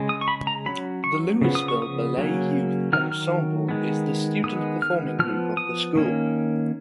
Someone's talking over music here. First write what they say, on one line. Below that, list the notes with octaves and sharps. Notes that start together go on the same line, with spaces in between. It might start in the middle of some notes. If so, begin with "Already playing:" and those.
The Louisville Ballet Youth Ensemble is the student performing group of the School.
Already playing: C#3 G#3
D#6
C#6
B5
A#5
F#3 C#4 B5
C#6
C#3 F3 B3
D#6
C#6
D#6
C#3 F#3 A#3 C#4
D#3 F#3 F6
F6
D#3 G#3 B3
D#3 G#3 B3 D#6
F6
F3 B3 F6
D#6
D#3 A#3 C#4